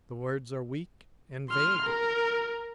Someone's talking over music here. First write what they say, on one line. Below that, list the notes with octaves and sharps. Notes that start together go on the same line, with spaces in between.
The words are weak and vague.
C6 F6
A#4